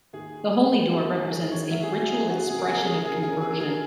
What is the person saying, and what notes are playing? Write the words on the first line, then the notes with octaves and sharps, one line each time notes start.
The Holy Door represents "a ritual expression of conversion".
D#2 G#4
G#3
F#2 F#4
G#4
D#3 A#4
C#5
F#3 E5
G#4
F#4
C#4 G#4
F#4
C#3 G#4
A#4
G#4
A#4
C#4 G#4
A#4
G#4
A#4
G#4
C#4 A#4
G#4
A#4
G#4
C#4 A#4